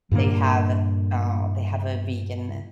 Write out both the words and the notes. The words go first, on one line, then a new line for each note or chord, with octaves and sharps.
they have Oh. They have a vegan
G2 A#2 D3 A#3